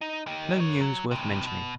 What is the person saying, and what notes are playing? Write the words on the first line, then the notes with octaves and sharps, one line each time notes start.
No news worth mentioning.
D#4
D#4 G4
A#4 C#5
F#3
A2 C3
B2